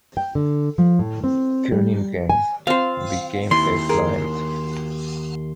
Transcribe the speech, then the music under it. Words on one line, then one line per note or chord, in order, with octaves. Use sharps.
Cunningham became a client.
G5
D3
F3
A2
C4
G3
G#5
C4 F4 C5 F5
D#2 E4 C6
G#4 A#4